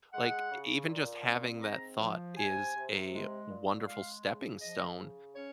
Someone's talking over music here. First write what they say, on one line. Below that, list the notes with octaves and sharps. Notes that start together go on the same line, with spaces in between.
Like, e even just having that thought is a wonderful stepping stone
G#3 F#5
C#3
A#2
C4
G#2 A#5
F3
C3 G#5
C3
G#3
A#2
G#3 F5
C#3
F3 D#5
C#3
C#4 C#5